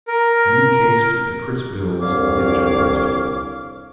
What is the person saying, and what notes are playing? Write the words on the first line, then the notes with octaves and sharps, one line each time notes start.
Raymond Case took the crisp bills and did as requested.
A#4
C2 A#2 D3 C#5 F5 D6